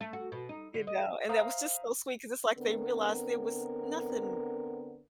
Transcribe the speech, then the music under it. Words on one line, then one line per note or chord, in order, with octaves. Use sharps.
you know, and that was just so sweet, 'cause it's like they realized there was nothing
A3
F#4
B2
D#4
D3
D#5
C5 E5 F5 A#5 D#6
D3 B3 C4 A#4